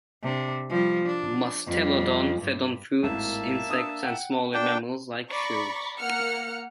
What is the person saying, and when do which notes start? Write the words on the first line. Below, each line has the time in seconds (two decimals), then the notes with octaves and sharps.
"Mustelodon" fed on fruits, insects and smaller mammals like shrews.
0.23 C3 D4
0.70 F3 G3
1.06 D4
1.66 F2 G3
2.42 G2
3.03 G#1 A2 A#3 E5 A5
3.68 D4 D#6 E6
4.03 F#5 G5
4.54 A#3 D4 G5 A5
5.31 D5 A#5 B5 C#6
5.98 A#3 F#5 F6 C#7